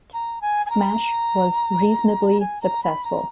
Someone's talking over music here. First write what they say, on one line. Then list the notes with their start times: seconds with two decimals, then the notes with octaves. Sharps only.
Smash was reasonably successful.
0.13 A#5
0.41 G#5
0.66 G#5
0.70 A#5
2.40 G#5
2.61 A#5
2.83 B5
3.04 A#5